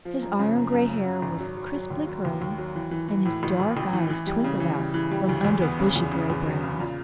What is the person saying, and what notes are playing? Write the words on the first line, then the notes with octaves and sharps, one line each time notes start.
His iron-gray hair was crisply curly, and his dark eyes twinkled out from under bushy gray brows.
F3
F#2
C#3
F#2
F#2
C#3
C#3
G#1
F#3
F#3
F#3
D#2
F#3
D#2
D#2
F#3
E3
E3
E3
A2
A1
A1
A1
E3
E3
G3
C#3
E3
G3
E3
G3
D2
E2
B3
C#3
E2
C#3
E2
F#3
C#3
A#2